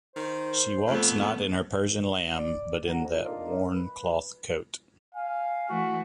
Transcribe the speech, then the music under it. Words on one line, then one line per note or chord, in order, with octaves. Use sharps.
She walks not in her Persian lamb, but in that worn cloth coat.
D#3 C5
F2 A3 B3
D5
F#5 A#5
F2
A#3 D4 D#4 F4 A#4
B4
F5 G#5
E3 A3 F#4